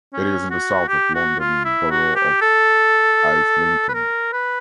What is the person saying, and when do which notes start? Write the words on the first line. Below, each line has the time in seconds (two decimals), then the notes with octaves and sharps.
It is in the south of the London Borough of Islington.
0.13 C#4
0.51 F#4
0.89 G4
1.15 F#4
1.40 F4
1.65 E4
1.91 F#4
2.16 G4
2.42 A4
3.89 B4
3.94 A#4
4.33 B4